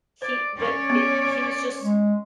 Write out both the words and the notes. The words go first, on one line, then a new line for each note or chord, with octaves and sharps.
he but it he was just
C5 D5
C#4 C#5 D5
B3
G#3